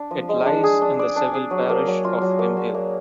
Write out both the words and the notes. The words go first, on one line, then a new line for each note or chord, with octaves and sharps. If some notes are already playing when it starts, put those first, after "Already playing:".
It lies in the civil parish of Pimhill.
Already playing: D4
F3
G#3
D4
G#4
D4
D5
D4
G#4
F#3
A#3
F#3
F4
F#3
A#3
F#3
A#3